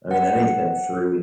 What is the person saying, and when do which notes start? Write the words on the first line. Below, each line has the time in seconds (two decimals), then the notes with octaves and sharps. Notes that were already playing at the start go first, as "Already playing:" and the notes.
I mean, anything free.
0.11 F#5